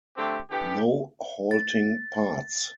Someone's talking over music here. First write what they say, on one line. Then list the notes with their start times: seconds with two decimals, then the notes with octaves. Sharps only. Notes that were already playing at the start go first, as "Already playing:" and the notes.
No halting parts.
0.17 D3 A3 C4 G4
0.50 D3 E3 B3 G4
1.51 A6